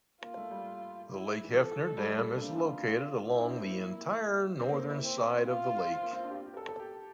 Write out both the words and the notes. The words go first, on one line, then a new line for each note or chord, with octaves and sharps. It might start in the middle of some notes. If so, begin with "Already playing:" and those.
The Lake Hefner Dam is located along the entire northern side of the lake.
A#3 F4
A3
G3
E4
E3
F3 A4
A3
G3
G3
A3
A#3
D4
C4 F4
D4
C4 E4
D4
C4
A#3
A#3
C4
A#3
C4
E4
C4
F4
C4
A#3
C4
D4
G4
F4
G4
A#4
A4
A4
G4